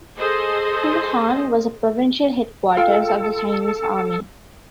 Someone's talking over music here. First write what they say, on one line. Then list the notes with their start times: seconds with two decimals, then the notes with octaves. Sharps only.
Wuhan was the provisional headquarters of the Chinese Army.
0.17 G#4 A4 C5 D#5
2.77 F4 A4 G5